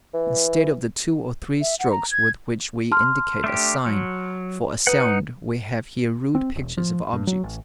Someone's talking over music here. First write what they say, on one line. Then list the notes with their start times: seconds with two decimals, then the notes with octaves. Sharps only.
Instead of the two or three strokes with which we indicate a sign for a sound, we have here rude pictures of objects.
0.14 E3
1.61 E5
1.80 F#5
1.91 A#5
2.11 G#6
2.92 A5 C6 F6
3.44 A3 D4 G4
3.86 F#3
4.87 D#4 B4 F#5
6.35 C4
6.56 E1
6.77 F3
7.13 G2
7.27 F#3
7.43 A1